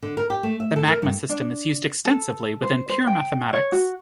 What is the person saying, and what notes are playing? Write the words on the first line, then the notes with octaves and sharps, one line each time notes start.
The Magma system is used extensively within pure mathematics.
D3
A#4
G4
A3
E5
A4
A#4
G2
D4
A4
C5
C5
G5
C#5
F#4